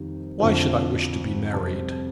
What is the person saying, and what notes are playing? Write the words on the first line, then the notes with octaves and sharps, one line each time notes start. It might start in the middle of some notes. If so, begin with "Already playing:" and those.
'Why should I wish to be married?
Already playing: F2 D#3 G3
F2 D3 F3
F2 C3 G3 A5